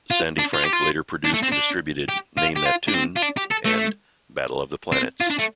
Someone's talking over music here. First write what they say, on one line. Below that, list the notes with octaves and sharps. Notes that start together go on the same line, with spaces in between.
Sandy Frank later produced and distributed "Name That Tune" and "Battle of the Planets".
F4
D4
F4
G4
F4
D4
A3
C4
D4
G4
F4
G4
F4
D4
C4
F4
D4
G4
A4
A3
C4
F4
D4
A3